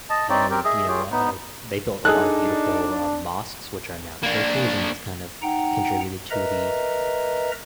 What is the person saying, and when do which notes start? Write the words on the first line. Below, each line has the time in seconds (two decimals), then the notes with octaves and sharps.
and, you know, uh, they built a lot of beautiful, uh, mosques, which are now churches, and it's kind of contributed to the
0.10 D#5 A5
0.29 C4 D#4 C#5 D5
0.50 C4 G4 A#4
0.65 G#4 D#5 E5
0.88 F4 G4 G#4 C#5
1.12 B3 D#4
2.05 D4 D#4 G#4 A4 F#6
4.23 A#3 D4
5.42 D#4 F#5 G5 A#5
6.31 A#4 B4 D#5 E5 A#5